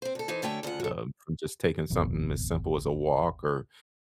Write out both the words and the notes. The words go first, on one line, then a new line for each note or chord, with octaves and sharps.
um, from just taking something as simple as a walk or
C4 C5
D2 A4
E3 D#4 C5
F#2 D3 A3 C#5 G5
D2 C#3 F4 F#5
F#4 A4
D#1 G#1 F2 B2